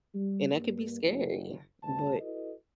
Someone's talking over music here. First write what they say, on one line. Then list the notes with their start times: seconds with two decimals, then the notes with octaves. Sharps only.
and that could be scary, but,
0.14 G3
0.51 G2 A#3
1.02 F#1
1.83 D2 G2 B2 A5
2.20 E4 F#4 A4 B4 D#5